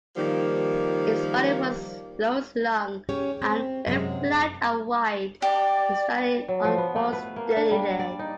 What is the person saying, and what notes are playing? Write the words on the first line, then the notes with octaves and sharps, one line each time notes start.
Its body was low-slung and very flat and wide, standing on four sturdy legs.
D#3 F3 G3 A#3
C#4 G4 G#4 C#5
C4
F#2 C3 E3 F#3 G#3
G4 D5
F#3
F3
B3
A3
B4
A#3
D4
G3
D5
D#4